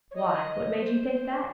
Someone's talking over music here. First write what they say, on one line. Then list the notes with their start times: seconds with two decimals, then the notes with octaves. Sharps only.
Why, what made you think that.
0.11 C#5
0.15 D#5
0.81 C5